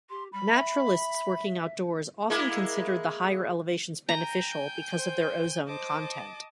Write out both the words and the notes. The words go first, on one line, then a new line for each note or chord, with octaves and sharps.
Naturalists working outdoors often considered the higher elevations beneficial because of their ozone content.
G4 C6
G3 B5
E5
G#3 A#3 E4
G5 G#5 A#5 G6
C5
C5 D#5 A5 D6